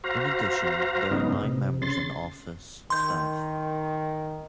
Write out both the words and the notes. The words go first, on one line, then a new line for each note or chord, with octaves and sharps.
In addition, there are nine members in the office staff.
F#4 C5 F5 A#5
G#2 C#3 B3 D#4
C3
C#3 C6 A6
D#3 C6 G6